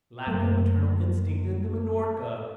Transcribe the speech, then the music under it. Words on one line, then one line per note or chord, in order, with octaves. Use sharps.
Lack of maternal instinct in the Minorca.
F#2 A3 A#3